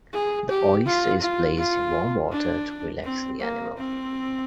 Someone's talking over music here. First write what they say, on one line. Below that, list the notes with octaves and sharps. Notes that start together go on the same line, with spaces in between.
The oyster is placed in warm water to relax the animal.
G#4
G4
F4
F4
F4
D4
C4
A#3
C4